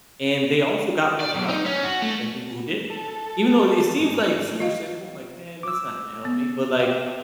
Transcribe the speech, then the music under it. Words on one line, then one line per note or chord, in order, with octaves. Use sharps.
and they also got more stuff done than people who didn't. Even though it seems like super simple, like, "Man, that's not gonna help me," but, like,
D5
B1
D#4
C#4
F#4
A3
A4
G#2
F4 D#5 F5
D6 E6
B3
G4 C5 E5 F5